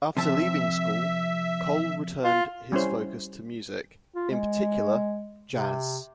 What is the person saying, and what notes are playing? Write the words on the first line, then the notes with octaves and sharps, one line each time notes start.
After leaving school, Cole returned his focus to music; in particular, jazz.
C3 F3 E5 A5
F4
G3 C#4 E4 C5
F4
G#3
C3